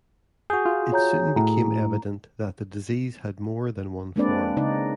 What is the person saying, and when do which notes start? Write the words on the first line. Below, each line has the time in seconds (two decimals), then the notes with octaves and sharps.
It soon became evident that the disease had more than one form.
0.50 F#4 G#4 G6
0.65 F4
0.92 C#5 A#5 G6
1.36 A2 A#5
4.16 G#3 A#3 C4 D4 B4 D5
4.57 C#3 D#4 D5